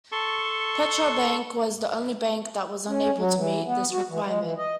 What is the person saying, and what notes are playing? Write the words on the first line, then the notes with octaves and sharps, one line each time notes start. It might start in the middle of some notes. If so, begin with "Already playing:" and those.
Petra Bank was the only bank that was unable to meet this requirement.
A4 A5 C6 C#6
C#4
F#3
E3
B3
F#4
E3
G#3
E3
D#5